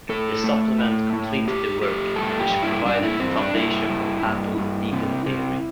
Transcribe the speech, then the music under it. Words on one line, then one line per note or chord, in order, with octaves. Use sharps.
The supplement completed the work, which provided the foundation for papal legal theory.
A2 A4
A3
A2
A3
A3 G4
A3 G4
G2 A4
G4
G2
E4
G2 D4
E4
G2 C4
D4
G2 E4
G2
G2
G2
C3
C3